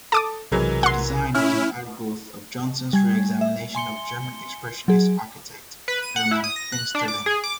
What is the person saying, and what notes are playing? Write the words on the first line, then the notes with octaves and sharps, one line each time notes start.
The design was an outgrowth of Johnson's reexamination of German expressionist architect Hermann Finsterlin.
A4 A5 D6 D#6
B1 C3 E3 F#3 G#3 A#4
F#5 C6
C#4 E4 E5 F6
G3 G#5 G#6
E5
G#5 C6 C#7 G7
F#3 G#4
B4
D#7
F#5
E4
D#6
A#6
F#6
D4
D6
G#4
D6